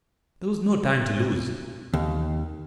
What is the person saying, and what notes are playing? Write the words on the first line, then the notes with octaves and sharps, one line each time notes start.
There was no time to lose.
D#2